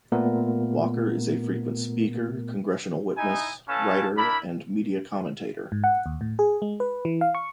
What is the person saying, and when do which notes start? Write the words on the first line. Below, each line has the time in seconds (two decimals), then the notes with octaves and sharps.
Walker is a frequent speaker, Congressional witness, writer, and media commentator.
0.12 A#2 A3 B3 A#4
3.17 D#4 E4 G#5
3.68 C#4 E4 A4 B4 F5 A5
4.17 D4 E4 A#4 B5
5.72 G#2
5.84 F#5
6.06 D#2
6.21 A2
6.39 G#4
6.62 G#3
6.80 B4
7.05 E3
7.21 F5
7.35 C#6